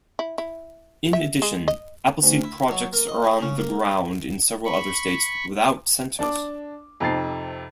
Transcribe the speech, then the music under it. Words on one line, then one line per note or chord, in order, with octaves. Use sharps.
In addition, Appleseed projects are on the ground in several other states without Centers.
E4
E4
E5
G#3
D#5
D2
E4
F#3
A#3
D#5
G#4
C#3
A#3
B5 C#6
D4 A5 D6
F2 C3 D#4 A5 A6 C7